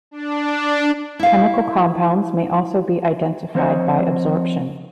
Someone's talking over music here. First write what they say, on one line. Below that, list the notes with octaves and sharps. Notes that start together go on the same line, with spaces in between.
Chemical compounds may also be identified by absorption.
D4
E4 F5
F3 C4 C5 C#5 D#5